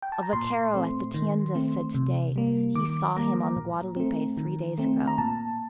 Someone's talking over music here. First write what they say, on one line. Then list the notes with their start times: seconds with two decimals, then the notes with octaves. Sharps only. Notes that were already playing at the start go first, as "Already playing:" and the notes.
A /vaquero/ at the /tienda/ said to-day he saw him on the Guadalupe three days ago.
0.02 G5
0.12 A5
0.23 A#5
0.33 A#2 C6
0.74 A3 C4
1.14 D#3
1.55 A3 C4
1.94 C3
2.36 G3 A#3
2.75 D#3 D6
3.16 G3 A#3 A#5
3.56 A#2
3.96 A3 C4
4.37 D#3
4.78 A3 C4
5.07 A#5
5.18 A#2 A5